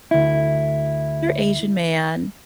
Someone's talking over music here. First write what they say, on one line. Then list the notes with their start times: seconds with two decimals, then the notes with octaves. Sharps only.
Asian man
0.11 D2 E4